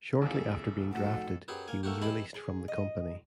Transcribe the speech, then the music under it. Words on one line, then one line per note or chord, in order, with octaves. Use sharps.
Shortly after being drafted, he was released from the company.
A#1 D#2 C3 E4 G#4 A4
F2 A3 D#4 F#4 A4 F#5
F#2 F#3 G4 G#4 B4
A#3 G#5
A3 A#3 F#4 G4
E3 G4 G#4 D#5 A5 B5
G#4
D#5